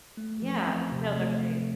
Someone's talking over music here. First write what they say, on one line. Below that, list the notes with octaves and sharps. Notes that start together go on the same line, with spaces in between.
Yeah. No, they're great.
A3
F3
C4
C3
A3